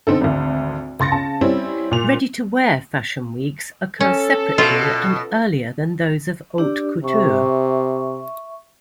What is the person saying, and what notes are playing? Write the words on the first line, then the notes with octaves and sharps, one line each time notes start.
Ready-to-wear fashion weeks occur separately and earlier than those of "haute couture".
D3 C4 D#4 A4
G#1 D2
C#2 C6 A6 A#6 C#7
C#3 A5
G3 C4 C#4 E4
A#2 F7
C#4 A4
B2 F4
D4 G4 D5
C3 E5 C#6